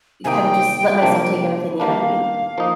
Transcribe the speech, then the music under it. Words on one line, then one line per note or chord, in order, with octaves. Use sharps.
kinda just let myself take everything in, I mean.
C3 D#3 A#3 D#4 G5 G#5
C3 F3 A#3 D4
D#3 G3 A#3 D4 F5
F3 A#3 D#4